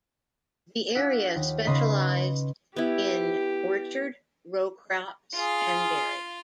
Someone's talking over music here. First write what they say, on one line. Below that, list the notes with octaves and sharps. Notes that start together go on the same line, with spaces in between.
The area specialized in orchard, row crops and dairy.
D4 F4 F#5 E6 B6
D#2
C#3 B4 D#5 C6
B3 E4 G4
F4 G#4 F5